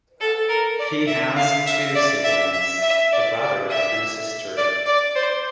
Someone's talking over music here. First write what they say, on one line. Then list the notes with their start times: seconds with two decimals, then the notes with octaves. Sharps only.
He has two siblings, a brother and sister.
0.20 A4
0.49 A#4
0.79 D5
1.07 E5
1.37 F5
1.66 E5
1.95 D5
2.24 E5
2.53 E5
2.83 E5
3.12 D5
3.41 D5
3.70 E5
4.57 D5
4.86 D5
5.15 C5